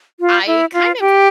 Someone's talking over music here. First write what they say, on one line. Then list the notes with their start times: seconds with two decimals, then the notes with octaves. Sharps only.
I kind of
0.20 F4
0.47 E4
0.73 F4
1.00 G4